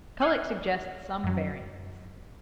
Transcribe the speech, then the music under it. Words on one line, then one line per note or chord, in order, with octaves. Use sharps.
Kullak suggests some variants.
F5 F#5 G#5
F#2 F#3